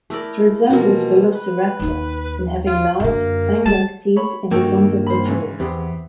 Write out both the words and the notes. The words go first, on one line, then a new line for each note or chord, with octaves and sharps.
It resembles "Velociraptor" in having large, fanglike teeth in the front of the jaws.
A3 E4 A#4 D5
B2 E3 F3 A#3
B4
D#2 D#4
F4
F#2 D3 A#3
G3 A5
C#5 B5
G2 D#3 A#3 F#4 A4 G5
C5 B5
G#2 C#3 E3
E2 B3 C4 G4